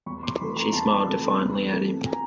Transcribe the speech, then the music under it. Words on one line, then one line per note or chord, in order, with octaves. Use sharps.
She smiled defiantly at him.
E2 B5 C#6
C6 D6
C3 E3 A3 B5 C#6
A#5 C6
E2 A5 B5
C3 E3 A3
E2
C3 E3 A3
G#5 A#5